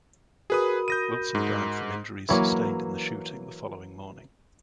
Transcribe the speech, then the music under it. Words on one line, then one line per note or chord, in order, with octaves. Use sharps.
Wilson died from injuries sustained in the shooting the following morning.
F#4 G#4 A#4 B4 B5 D#6
G6 A#6 D#7
G#2
E3 F#3 A#3